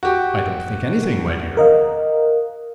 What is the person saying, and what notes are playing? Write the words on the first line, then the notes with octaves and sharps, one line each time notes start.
"I don't think anything, my dear."
F#4 G4
A#4 D#5 F5